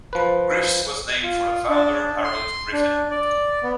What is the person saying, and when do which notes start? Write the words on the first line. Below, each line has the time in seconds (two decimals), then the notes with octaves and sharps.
Griff's was named for the founder, Harold Griffin.
0.13 F3 B4
1.23 F4
1.69 D4
2.24 C6
2.73 D4
3.11 D5
3.63 B3